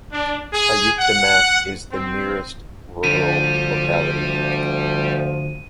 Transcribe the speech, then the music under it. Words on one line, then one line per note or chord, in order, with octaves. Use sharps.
Kuyuktamak is the nearest rural locality.
D4
G#4
F#5
C4
D2 D3 F3 G3 D#7